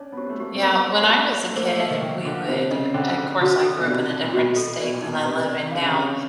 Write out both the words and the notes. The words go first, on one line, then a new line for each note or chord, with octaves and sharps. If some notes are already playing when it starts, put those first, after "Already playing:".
Yeah. When I was a kid, we would of course, I grew up in a different state than I live in now,
Already playing: C#4 D4 C#5
B3
C4 G4
A3
A#3 G4
C4
B3 A#4
C#5
A#3
B3 G4
G4
A3
A#3 C5
A3
A3 D#5
D#3
D#3 G5
D3 G#4
C3 C5
C#3 D#5
D3 G5
G#4
D3 F#4
A4
B2
C3 D5
D#4
A#2
B2 F#4
A4
B2 D5
A#2
B2 D#4
B2
C3 B4
D5
D3 F5
C#3
C3
C#3 G#4